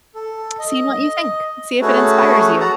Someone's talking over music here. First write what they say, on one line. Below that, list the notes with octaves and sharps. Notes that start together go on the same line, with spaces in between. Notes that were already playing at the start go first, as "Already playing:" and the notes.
seeing what you think. See if it inspires you.
A4
D#5
A3 C#4 F#4 G#4 A4 B4
F#4 F#5 A5 A#5